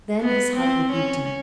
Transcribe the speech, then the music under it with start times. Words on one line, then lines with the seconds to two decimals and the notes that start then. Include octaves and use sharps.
Then his heart rebuked him.
0.21 B3
0.57 C4
0.93 C#4